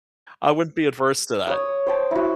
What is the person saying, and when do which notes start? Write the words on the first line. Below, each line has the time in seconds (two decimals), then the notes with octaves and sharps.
I wouldn't be adverse to that.
1.47 C#5 D#6
1.87 C5 G5 A5
2.11 E4 F#4